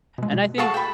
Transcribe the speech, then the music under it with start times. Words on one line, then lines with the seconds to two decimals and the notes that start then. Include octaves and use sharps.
And, I think
0.18 B2 G#3
0.33 B2
0.58 F#4 G#4 A4 F5 A5 C#6
0.74 G5 B5